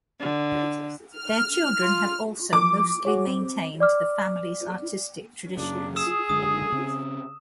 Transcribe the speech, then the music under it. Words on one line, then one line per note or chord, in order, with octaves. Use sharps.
Their children have also mostly maintained the family's artistic traditions.
D3
F6
F4
F3 D6
F#4 G#4 C#5
C4
D5 D6 F6
F#2 C#3 D4
G#4 D#6 E6 E7
F#1 D3 G#3 D#6
C#3 C4